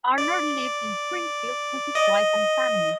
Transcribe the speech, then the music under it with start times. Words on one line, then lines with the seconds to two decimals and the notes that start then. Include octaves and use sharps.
Arnold lived in Springfield with his wife and family.
0.18 D5
1.95 D#5